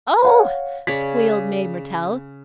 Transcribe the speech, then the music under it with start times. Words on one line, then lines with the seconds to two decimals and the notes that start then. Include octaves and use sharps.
"Oh!" squealed Mae Mertelle.
0.23 C#5 F5 F#5
0.87 C#3 C#5 D5 B6